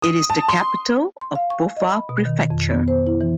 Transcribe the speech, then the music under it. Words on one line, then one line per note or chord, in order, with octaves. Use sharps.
It is the capital of Boffa Prefecture.
D#6
A5
C6
C6
F5
C#6
D#5
B5
B2
D#3
F2
B3
C5
E4
E3